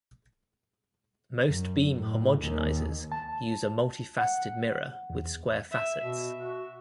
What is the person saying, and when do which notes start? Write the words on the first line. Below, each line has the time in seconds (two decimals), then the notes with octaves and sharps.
Most beam homogenizers use a multifaceted mirror with square facets.
1.46 F#2
1.96 A2
2.41 D#2
3.12 A5
4.18 F#5
5.10 E2
5.72 E5
6.03 B2 E5
6.38 F#4